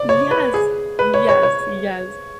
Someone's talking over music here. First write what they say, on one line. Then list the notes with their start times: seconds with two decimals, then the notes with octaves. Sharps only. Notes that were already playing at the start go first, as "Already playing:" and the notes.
Yes, yes, yes.
Already playing: D5
0.09 C#5
0.31 B4
0.54 G#4
0.99 B4
1.14 C#5
1.29 C#5
1.43 C#5